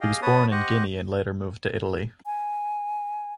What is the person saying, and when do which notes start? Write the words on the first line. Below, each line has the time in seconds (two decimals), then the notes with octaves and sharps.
He was born in Guinea and later moved to Italy.
0.01 G4 G#4 D#5 F5 G5
0.22 B3 B4 C#5 A5 D#6
0.51 G4 C5 D#5 F#5 C#6
2.26 G#5